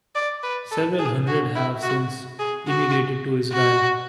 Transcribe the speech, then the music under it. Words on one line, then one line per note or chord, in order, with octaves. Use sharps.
Several hundred have since emigrated to Israel.
D5
B4
A4
G#4
F#4
E4
F#4
G#4
F#4
F#4